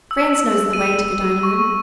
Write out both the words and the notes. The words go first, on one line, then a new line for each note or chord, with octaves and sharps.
Franz knows the way to the dining-room.
E6
D#7
C#6